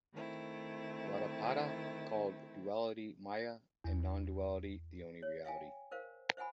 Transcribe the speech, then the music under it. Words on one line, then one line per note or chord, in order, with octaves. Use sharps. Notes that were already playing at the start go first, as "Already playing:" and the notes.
Gaudapada called duality Maya, and non-duality, the only reality.
D#3 A3 C4 E4
E2
C#5
E5 F5 G5 G#5
A#4 C5 F5
C5 E5 F#5 G#5 B5